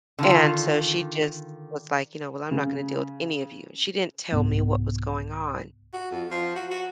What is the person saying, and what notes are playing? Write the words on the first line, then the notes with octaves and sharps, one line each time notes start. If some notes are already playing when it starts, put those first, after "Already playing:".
And so she just was like, you know, "Well, I'm not gonna deal with any of you." She didn't tell me what was going on.
D3 D#3 F4
C#3
C2 G#2 B3
F#4
F2
F3
F#4
F#4